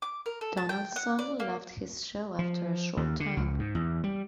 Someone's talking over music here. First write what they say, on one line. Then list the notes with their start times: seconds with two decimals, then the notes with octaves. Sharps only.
Donaldson left his show after a short time.
0.02 D6
0.26 A#4
0.41 A4
0.57 A5
0.69 G5
0.96 F#5
1.19 D5
1.40 A#3
2.39 F3
2.97 D#2
3.20 D3
3.37 C#2
3.59 G#2
3.75 E2
4.04 G3